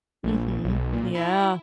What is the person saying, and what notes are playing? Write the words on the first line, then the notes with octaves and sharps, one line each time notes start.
Mhm. Yeah.
A#1
B1
A#2
E4